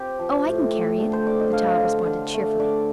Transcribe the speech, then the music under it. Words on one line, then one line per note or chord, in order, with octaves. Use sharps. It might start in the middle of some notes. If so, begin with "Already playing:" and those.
"Oh, I can carry it," the child responded cheerfully.
Already playing: C4 G4
F3
A2
A2
D3
C5
C4 D5
D#5
D3 F5
D3
D3
A3
D3 D5